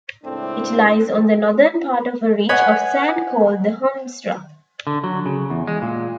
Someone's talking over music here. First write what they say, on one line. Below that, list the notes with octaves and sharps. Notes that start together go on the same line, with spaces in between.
It lies on the northern part of a ridge of sand called the Hondsrug.
C#2 A2 A3 C4 D4
B4 C#5 D#5 F#5 G#5
D3
F#3
C#3
E2
G#3
A#2